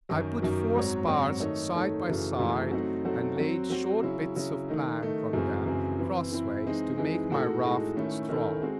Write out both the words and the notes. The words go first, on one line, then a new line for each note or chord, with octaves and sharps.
I put four spars side by side, and laid short bits of plank on them, cross ways, to make my raft strong.
F#2 D#3 F#3
F#2 D#3 F#3
G#2 F#3 C4 F#4 C#5
G#2 F#3 C4 F#4 C#5
D#3 A3 D#4 A4 C#5
D#3 A3 D#4 A4 C#5
F#2 C#3 E3 A3
F#2 C#3 E3 A3
F#3 A3 C4 D#4 F#4
F#3 A3 C4 D#4 F#4
F#3 C4 F#4
F#3 C4 F#4
C#3 F#3 C#4 E4
C#3 F#3 C#4 E4
D#3 A3 D#4
D#3 A3 D#4
F#2 C#3 E3 G#3 C4
F#2 C#3 E3 G#3 C4
E3 C4 E4
E3 C4 E4
E3 G#3 C4 D#4
E3 G#3 C4 D#4
A2 G#3 D#4 F#4 A4
A2 G#3 D#4 F#4 A4
D#3 A3 C#4 E4 A4
D#3 A3 C#4 E4 A4
G#3 C4 F#4